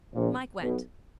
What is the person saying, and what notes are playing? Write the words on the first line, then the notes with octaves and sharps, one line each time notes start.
Mike went.
A#1 A#2
B1 B2